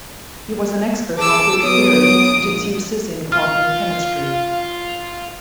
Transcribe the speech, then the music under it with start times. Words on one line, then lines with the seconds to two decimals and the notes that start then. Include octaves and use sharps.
He was an expert on group theory and its uses in quantum chemistry.
1.19 G#4 A5 D6 E6
1.63 F#3 B3 C#5 D#6 D7
2.30 A#1
3.32 F4 F5 F6